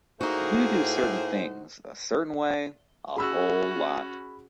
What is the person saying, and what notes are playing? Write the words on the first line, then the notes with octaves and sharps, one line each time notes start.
You do certain things a certain way a whole lot.
A2 A3 A#3 D#4 F#4 G#4 C5
C#4 F#4 G#4 B5 E6